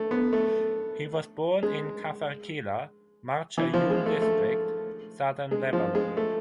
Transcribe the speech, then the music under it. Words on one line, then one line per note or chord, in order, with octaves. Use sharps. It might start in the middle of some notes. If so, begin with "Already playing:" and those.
He was born in Kafarkila, Marjayoun district, southern Lebanon.
Already playing: A3
B3
A3
G#3
E3
F3
G#3
A3
A3
G#3
F3
G#3
A3